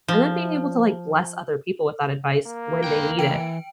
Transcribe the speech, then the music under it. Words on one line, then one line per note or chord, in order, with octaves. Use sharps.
and then being able to, like, bless other people with that advice when they need it.
F3
A#3
B4 G5
E3 G5 D7